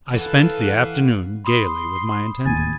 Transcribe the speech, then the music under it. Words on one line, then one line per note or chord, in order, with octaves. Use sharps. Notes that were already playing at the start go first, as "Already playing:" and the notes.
I spent the afternoon gaily with my intended.
E3 A4 B4 F5 F#5
B5 C6 D#6
D1 D#2 G#5 A6